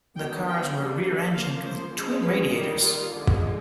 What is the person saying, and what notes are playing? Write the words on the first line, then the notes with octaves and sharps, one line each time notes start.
The cars were rear-engined with twin radiators.
D#3 F#3 B3 D4 G5
G5
D3 G3 A#3 D4
F3 A#3 C#4 F5
C5
F3 G#3 C#4
B4
D#3 G3 A#3 A#4
F4
D3 F3 G#3